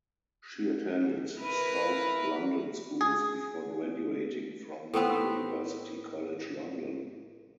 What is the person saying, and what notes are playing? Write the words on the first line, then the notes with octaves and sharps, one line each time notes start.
She attended south London schools before graduating from the University College London.
E4 A#4 B4
G#4
A2 B3 C4 B4